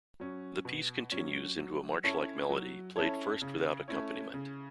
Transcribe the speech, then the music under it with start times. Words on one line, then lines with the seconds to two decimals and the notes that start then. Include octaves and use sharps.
The piece continues into a march-like melody played first without accompaniment.
0.20 F#3 C#4
0.65 B2
1.12 F#3 C#4
1.58 F#3
2.04 C#4 E4 A4 C#5
2.50 F#3
2.96 C#4 E4 A4 C#5
3.42 C#3
3.88 A3 C#4 E4 C#5
4.34 C#3